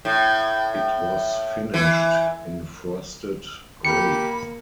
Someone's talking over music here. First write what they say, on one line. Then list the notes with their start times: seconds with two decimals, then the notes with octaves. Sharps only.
It was finished in frosted grape.
0.05 A2
1.74 E3
3.85 A#3 G4 B5 C#7